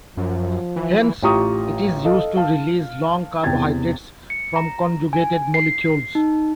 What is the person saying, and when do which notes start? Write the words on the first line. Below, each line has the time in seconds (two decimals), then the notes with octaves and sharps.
Hence, it is used to release long carbohydrates from conjugated molecules.
0.17 F#2 F3
0.76 E3
1.22 A1 F4 G4 A#5 C#6 D#6
2.05 A4 D#5 F5
2.37 F5 A5
3.43 E2 C3 G5 G#6 A6
4.30 C#7
4.56 A#5
5.13 G#5
5.54 C7
6.15 D#4